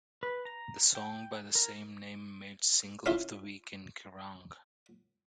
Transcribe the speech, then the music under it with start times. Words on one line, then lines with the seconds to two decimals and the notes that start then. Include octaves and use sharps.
The song by the same name made Single of the Week in Kerrang!
0.23 B4
0.45 A#5
0.95 G5
1.55 A#4
3.06 C#4 E4 F4